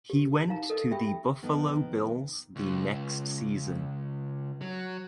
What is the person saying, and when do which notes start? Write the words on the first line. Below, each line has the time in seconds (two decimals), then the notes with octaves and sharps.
He went to the Buffalo Bills the next season.
0.10 G4
0.49 D#4 E4 F5 A#5
0.70 A4 D#5
0.91 F4 G4 E5 G5 B5
1.42 F2 D#3 B3
2.56 C#2
4.61 F#3